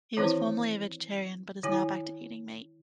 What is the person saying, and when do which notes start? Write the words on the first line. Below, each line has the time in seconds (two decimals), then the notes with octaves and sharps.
He was formerly a vegetarian, but is now back to eating meat.
0.17 D#3 E3 C4 E4 B4 C5
1.63 D#3 E4 G#5